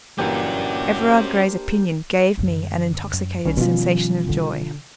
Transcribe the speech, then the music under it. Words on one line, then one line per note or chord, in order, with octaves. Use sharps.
Everard Grey's opinion gave me an intoxicated sensation of joy.
G1 A#2 E3 A#3 C#4 D4 F#4 G4
G4 C5 G6 D#7
F#2 D3
F#2
B1 D#3 F3 G3 C#4
B2 F3 F4
D3 D4